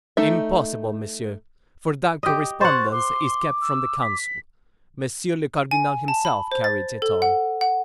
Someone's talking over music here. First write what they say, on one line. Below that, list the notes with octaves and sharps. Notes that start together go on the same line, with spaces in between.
"Impossible, monsieur, for that correspondence is kept from the council; monsieur le cardinal himself carried it on."
A3 D#4 E5
G4 D#5
C5 F#5 C#6 A6
C6 D6
E6
B6
G#5
A5
B5
C5
A6
A4
F#5
F#5